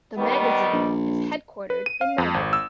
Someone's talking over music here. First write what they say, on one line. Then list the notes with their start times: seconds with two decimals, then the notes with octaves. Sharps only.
The magazine is headquartered in Melbourne.
0.17 D#3 G3 B3
0.73 A#1
1.70 B4
1.86 D#7
2.01 F5
2.18 F2
2.34 G#1
2.53 E6